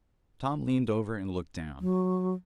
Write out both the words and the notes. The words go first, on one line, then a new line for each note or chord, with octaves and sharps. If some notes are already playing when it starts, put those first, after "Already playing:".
Tom leaned over and looked down.
F#3